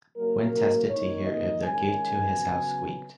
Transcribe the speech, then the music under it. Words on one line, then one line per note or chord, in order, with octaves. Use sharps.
Quinn tested to hear if the gate to his house squeaked.
C#3 F#3 A#3 A#4
D#3 A#3 D#4 C#5
D#5
D#3 G#3 C#4 G#5
C#3 F#3 B3